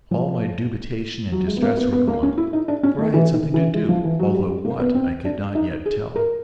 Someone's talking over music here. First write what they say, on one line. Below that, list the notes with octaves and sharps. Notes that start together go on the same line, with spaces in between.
All my dubitation and distress were gone, for I had something to do, although what I could not yet tell.
F3
F#3
G#3
B3
A#3
B3
B3
A#3
C#4
E4
D#4
D4
C#4
A3
E3
D#3
E3
G#3
F3
E3
F#3
G3
G3
A#3
B3
C4
D4
D#4
G#4
A#4